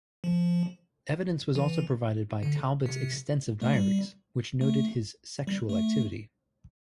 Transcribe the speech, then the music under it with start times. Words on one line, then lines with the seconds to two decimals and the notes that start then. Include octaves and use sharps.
Evidence was also provided by Talbot's extensive diaries, which noted his sexual activity.
0.24 F3
1.55 E3
2.43 D3
2.86 C3
3.62 A3
3.73 G3
4.61 A3
5.47 G3
5.69 A3